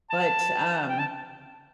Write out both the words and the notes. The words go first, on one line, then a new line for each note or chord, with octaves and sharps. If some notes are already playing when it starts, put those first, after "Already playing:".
but, um,
A5
G5
A5